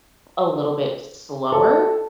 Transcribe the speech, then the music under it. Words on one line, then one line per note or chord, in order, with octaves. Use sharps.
a little bit slower.
A4